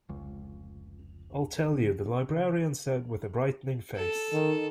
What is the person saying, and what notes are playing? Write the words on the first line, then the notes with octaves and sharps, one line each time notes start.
I'll tell you, the librarian said with a brightening face.
F1 C#2
C#3
A4
D#3